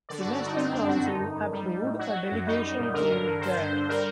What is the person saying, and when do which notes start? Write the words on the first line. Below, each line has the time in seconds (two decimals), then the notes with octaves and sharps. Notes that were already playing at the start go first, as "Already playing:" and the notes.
The National Council approved a delegation to meet there.
0.09 D3 D5
0.21 F#4
0.25 G2
0.33 F#4
0.40 G2
0.45 D#4
0.56 D3 C4
0.73 F#2 D4
0.88 F#2 F#4
1.04 D3 D#4
1.20 G2
1.35 G2
1.52 G3
1.67 G3
1.83 A2
1.99 F#3 F#4
2.16 F#3
2.31 F#2
2.46 G3 D#4
2.63 G3
2.79 A#2
2.94 D3 A#4
3.10 G2
3.25 G2
3.41 D3 C5
3.57 G2
3.73 G2
3.89 G3 A#4